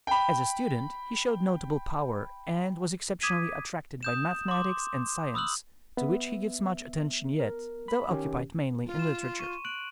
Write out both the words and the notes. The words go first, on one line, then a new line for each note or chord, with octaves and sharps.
As a student he showed notable power, and was exceptionally attracted by mathematics and science, to which he gives much attention yet, though occupied mainly in literature.
G5 B5
D6 D#6 G#6 B6 D#7
D#6 G6 E7
C6 D6
B5 D#6 E6 F#6 F#7
B3 E5
A#4
B5
D#3 C#4 G4
F4
C6 E7
C#6 D#7
F#6 D7 F#7